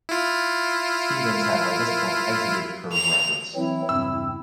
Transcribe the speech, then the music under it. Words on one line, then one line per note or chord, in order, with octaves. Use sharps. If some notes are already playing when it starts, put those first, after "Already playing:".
Stevens had by this point exited Curb Records.
E4 F4
F7
E3 F#3 C4 E4
E2 G2 C#3 C4 E6